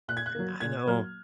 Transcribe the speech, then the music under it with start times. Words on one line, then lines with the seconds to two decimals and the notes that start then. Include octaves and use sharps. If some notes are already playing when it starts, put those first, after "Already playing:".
I I know.
0.08 A#2 F#6
0.17 G#6
0.26 F#6
0.35 F#3 A#3
0.60 A#2 G#6
0.87 F#3 A#3 F6